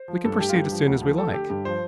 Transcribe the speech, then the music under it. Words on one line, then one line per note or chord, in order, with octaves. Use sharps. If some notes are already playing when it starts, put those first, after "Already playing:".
We can proceed as soon as we like.
Already playing: C5
F3
G2 A4
A3 G4
F4
G2 G4
F3
D2
F3
A3 A4
D3 G4
G2 G4
F3 C5